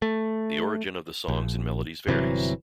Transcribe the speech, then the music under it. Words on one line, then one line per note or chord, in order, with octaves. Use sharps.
The origin of the songs and melodies varies.
A3
A#1
G1 C3 E3 F#3